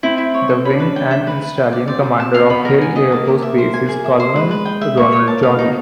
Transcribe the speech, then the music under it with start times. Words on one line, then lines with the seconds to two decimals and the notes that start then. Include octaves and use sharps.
The Wing and Installation Commander of Hill Air Force Base is Colonel Ronald Jolly.
0.03 C4 E4
0.18 E4
0.34 C#5
0.50 A4
0.65 C#4 B5
0.75 D4
0.80 B4
0.85 C#4
0.96 G5
1.11 E5
1.27 B4
1.42 B4
1.57 G5
1.73 D5
1.88 C4 D5
2.03 D5
2.20 A5
2.34 F5
2.50 B3 B5
2.65 A#4
2.81 G#5
2.96 D#5
3.12 A#3 A5
3.27 G4
3.42 E5
3.58 C5
3.74 A#3 G#5
3.89 G#4
4.04 E5
4.20 C5
4.35 G#3 B4
4.51 B4
4.65 G5
4.81 E5
4.97 A#3 C#6
5.12 C#5
5.28 A5
5.43 F5
5.59 B3 D#4